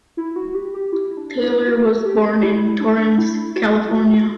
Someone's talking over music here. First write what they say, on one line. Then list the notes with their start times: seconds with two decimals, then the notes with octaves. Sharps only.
Taylor was born in Torrance, California.
0.17 E4
0.36 F#4
0.55 G4
0.74 G4
0.93 E4
1.17 D4
1.43 E4
1.68 F#4
2.05 G4
2.42 E4
2.80 D4
3.18 E4
3.56 F#4
3.89 E4
3.93 F#4
4.12 E4